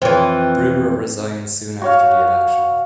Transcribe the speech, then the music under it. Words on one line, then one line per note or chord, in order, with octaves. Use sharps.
Brewer resigned soon after the election.
F2 E3 C5 C#5
F#4 C#5 F5